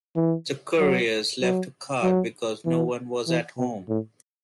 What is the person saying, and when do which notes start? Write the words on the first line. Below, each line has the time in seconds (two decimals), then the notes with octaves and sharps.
The couriers left a card because no one was at home.
0.16 E3
0.79 F#3
1.41 F#3
2.02 F#3
2.65 E3
3.28 E3
3.58 B2
3.89 A2